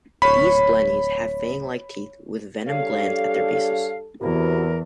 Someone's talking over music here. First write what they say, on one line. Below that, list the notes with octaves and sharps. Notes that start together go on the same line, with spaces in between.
These blennies have fang-like teeth with venom glands at their bases.
D1 C#5 B5
G3 D4 G#4 A4 C#5 F5
E2 C3 B3 E4 F#4 A#4